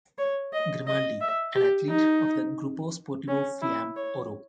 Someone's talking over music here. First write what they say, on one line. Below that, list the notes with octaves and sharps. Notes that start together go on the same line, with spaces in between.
Grimaldi an athlete of the Gruppo Sportivo Fiamme Oro.
C#5
D#5
D#5
E5
G4
D#4
C#4
E4
C#5